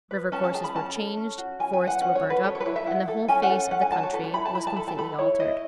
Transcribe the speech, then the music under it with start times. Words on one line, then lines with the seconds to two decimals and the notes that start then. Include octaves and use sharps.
River-courses were changed, forests were burnt up, and the whole face of the country was completely altered.
0.11 B4
0.32 C#4 A5
0.44 A5
0.54 G#4 A5
0.64 B5
0.75 C#4 A5
0.96 A4
1.17 C#4
1.38 F#4
1.59 C#4 G#5
1.73 G#5
1.81 B4
1.87 F#5
2.01 C#4 F#5
2.15 C#5
2.23 F#4
2.30 B4
2.44 A4 C#5
2.55 C#5
2.60 B4
2.66 E4 C#5
2.76 E5
2.86 E4 F#5
3.08 A4
3.28 C#4 G#5
3.43 F#5
3.50 A4
3.71 C#4 F#5
3.82 G#5
3.92 F#4 A5
4.03 C#5
4.13 A4 B4
4.24 C#5
4.34 E4 B5
4.45 A5
4.55 E4 B5
4.67 A5
4.76 A4 B5
4.88 A5
4.97 A4 B5
5.19 E4 C#5
5.40 E4 D#5